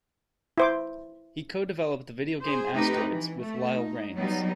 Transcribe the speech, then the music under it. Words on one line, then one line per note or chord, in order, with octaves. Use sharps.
He co-developed the video game "Asteroids" with Lyle Rains.
E4 C5 D6
G#4 C5
A3 C4 D#4 G4 B4 D#5
E3
A3
D#4
F#3 G3 B3 D#4